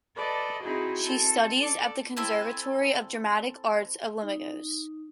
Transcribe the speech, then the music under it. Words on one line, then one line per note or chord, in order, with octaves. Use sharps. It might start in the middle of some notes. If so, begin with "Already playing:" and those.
She studies at the Conservatory of Dramatic Arts of Limoges.
A4 B4 D5 D#5
C4 D#4 E4 F#4 G#4
C4 A4
A4 D5
C4 E4 A4 G#5
D#4